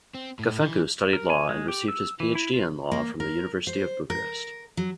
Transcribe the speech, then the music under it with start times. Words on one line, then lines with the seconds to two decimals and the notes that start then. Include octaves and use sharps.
Gafencu studied law and received his Ph.D. in law from the University of Bucharest.
0.14 C4
0.39 A2
0.60 E3
1.13 A#4
1.30 G#5
1.49 G#3
1.68 G4
1.88 E6
2.20 E3
2.35 E4
2.53 F4
2.92 A#3
3.20 A#4
3.67 C5
4.10 A#4
4.77 F#3